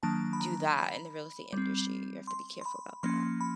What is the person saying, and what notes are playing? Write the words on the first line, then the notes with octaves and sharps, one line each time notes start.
do that in the real estate industry, you have to be careful about that.
D#3 F#3 A#3 D4 A5
B5
A#5
B5
G3 C4
C6
C6
B5
F3 A#3 C#4 C6
B5